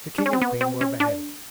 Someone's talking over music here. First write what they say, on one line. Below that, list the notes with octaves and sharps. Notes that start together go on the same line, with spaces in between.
The king and queen were beheaded.
D4
C#4
C4
B3
C4
C#4
D4